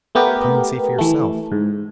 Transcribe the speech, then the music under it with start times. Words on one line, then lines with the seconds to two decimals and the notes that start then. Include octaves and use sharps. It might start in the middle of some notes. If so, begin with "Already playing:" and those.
Come and see for yourself.'
0.15 A3 B3 G4 A#4
0.98 E3 A3
1.52 G#2